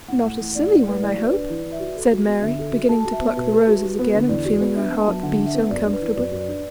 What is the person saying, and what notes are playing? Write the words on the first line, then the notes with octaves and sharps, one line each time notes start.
"Not a silly one, I hope," said Mary, beginning to pluck the roses again, and feeling her heart beat uncomfortably.
A2 F#5
A3
E3
A2 D5
A2
A3 B4
E3 D5
F#4
B4
D4
E3
E3
E5
F#4
A4
F#4
B3
D3 E5
A4
F#4
A4 A5
F#4 A5
E5
B3 B4
B2 B4
A4
F#4
F#4
B3
D3
E2 D5
F#4
B3
D4 E5
B3
A5
F#3
D3 F#5
D4
E5
B3
F#2 D5
D4
B4
E3
F#2 D5
F#2
D5
D4